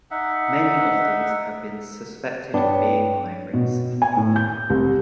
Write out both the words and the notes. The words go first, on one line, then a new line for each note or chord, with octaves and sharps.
Many of these have been suspected of being hybrids.
D#4 E5 F#5
G2 B3 D4 B4 C#5 G5
B2
G#5
A2
G6
C2